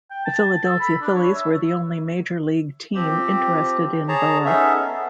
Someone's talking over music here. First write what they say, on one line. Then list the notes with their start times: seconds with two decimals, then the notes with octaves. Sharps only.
The Philadelphia Phillies were the only Major League team interested in Bowa.
0.10 G5
0.25 A5
0.65 A4
0.80 B5
1.02 D4
1.14 C#5
1.35 E5
2.95 F3 C4 G4
4.08 G#4 C#5 A5 A#5
4.46 B3 C#4 D#4 G#4 A4 E5
4.87 B3